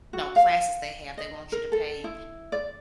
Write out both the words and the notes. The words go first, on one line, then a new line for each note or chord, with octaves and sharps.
no, classes they have, they want you to pay,
F#4
F5
D#5
A#4
A4
E4
D5